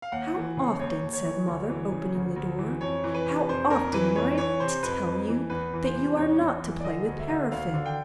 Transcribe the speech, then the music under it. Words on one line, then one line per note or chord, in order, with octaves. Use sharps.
'How often,' said mother, opening the door--'how often am I to tell you that you are NOT to play with paraffin?
F5
D#2 F#5
E3
C#3
D#2 C#5
D#2
C#5
E3
D2
E3
C#3
D2
D2
E3
F2 C#5
E3
B4
C3
F2 C5
F2 A#4
E3 B4
F2 C#5
E3 C#5
C3 C5
F2 B4
F2
E3
E2 B4
E3
C5
C3
E2 C#5
E2
E3
D5
D3 D#5
D2
E5
D3
D2 F5
D3
G5